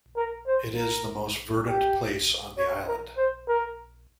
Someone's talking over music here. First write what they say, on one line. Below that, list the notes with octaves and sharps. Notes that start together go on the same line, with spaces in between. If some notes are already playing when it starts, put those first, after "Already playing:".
It is the most verdant place on the island.
A#4
C5
A#4
G4
C#5
A#4
C5
A#4